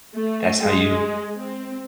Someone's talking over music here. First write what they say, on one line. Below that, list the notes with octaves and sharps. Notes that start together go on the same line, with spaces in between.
that's how you
A3
G#3
C4